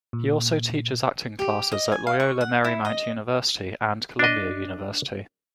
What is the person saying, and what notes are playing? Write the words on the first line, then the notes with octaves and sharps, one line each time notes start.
He also teaches acting classes at Loyola Marymount University and Columbia University.
A#2
G4
D#5
G#5
F5
C#6
F#5
E4
D#5
D4 D#5